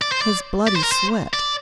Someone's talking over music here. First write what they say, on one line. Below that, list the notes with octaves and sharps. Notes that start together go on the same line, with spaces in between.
His bloody sweat.
D5
C5
D5
D5
C5
A#4
C5
D5